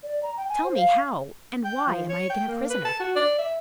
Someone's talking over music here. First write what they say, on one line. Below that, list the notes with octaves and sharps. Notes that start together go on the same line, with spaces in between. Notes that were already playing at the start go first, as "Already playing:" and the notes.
"Tell me how and why am I again a prisoner?"
D5
A#5
G5
G#5
C5
F5
G5
F3
C#5
G5
A#3
B4
A5
F#4
D5
E5